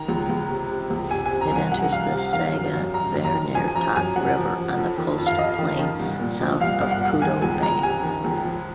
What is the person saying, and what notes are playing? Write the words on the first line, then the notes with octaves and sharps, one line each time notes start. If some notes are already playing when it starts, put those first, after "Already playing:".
It enters the Sagavanirktok River on the coastal plain south of Prudhoe Bay.
Already playing: D#3 A#5
C#2
C#2
C3
C3
C#2
C3 G#5
G#5
C3
A#5
C2 G#5
F3 F#5
C2 F5
C3
D#3 F5
F#2
F#2
F#2 A#5
F#2
A#5
D#3
F3 G#5
G#5
F3 A#5
F#2 G#5
F3 F#5
F3
F3
F2
D#3
F2
F5
F2 D#5
D#3
D#3
C2
A#2
F3
C2 F5
C2
F#5
C2
D#3 G#5
C#2 G#5
C#2 A#5
C3 G#5
D#3
C#2
F3